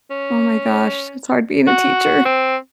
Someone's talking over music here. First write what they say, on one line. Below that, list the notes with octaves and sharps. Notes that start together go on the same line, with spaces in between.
Oh my gosh, it's hard being a teacher.
C#4
F#4
C4